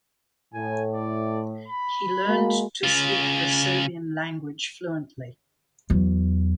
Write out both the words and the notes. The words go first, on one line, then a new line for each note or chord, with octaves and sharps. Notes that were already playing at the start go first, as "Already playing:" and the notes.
He learned to speak the Serbian language fluently.
A2 G#5
D5
B5
G#3 A#3 F#4
C#3 F4
E2 F#3